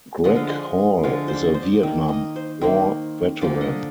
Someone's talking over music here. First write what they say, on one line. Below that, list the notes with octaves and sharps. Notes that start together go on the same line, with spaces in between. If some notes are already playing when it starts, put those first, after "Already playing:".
Greg Hall is a Vietnam war veteran.
D3 F3 G#3 D#5
F5
D#5
D3 F3 G#3 F5
C5
D5
D#5
C5
D5
D#3 A#3
D#5
C5
D#3 A#3 C5
D3 F3 A#3 D5
D#5